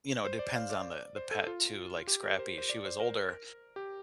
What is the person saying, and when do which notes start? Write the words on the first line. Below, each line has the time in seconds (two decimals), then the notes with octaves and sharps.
you know, it depends on the the pet, too. Like, Scrappy, she was older,
0.25 C5
0.39 D5
0.54 F5
0.70 D5
1.16 C5
1.31 A4
1.47 F4
2.07 G4
2.23 A#4
2.39 C5
2.58 C5
2.70 D5
2.85 C5
3.00 A#4
3.76 G4